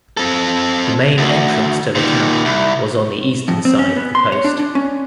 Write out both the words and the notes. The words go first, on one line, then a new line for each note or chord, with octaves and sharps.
The main entrance to the camp was on the eastern side of the post.
C4 A4
D2
A#2 D#3
C2
F2
C4
C#4
B3
C6
C#5
D4
D4
C#4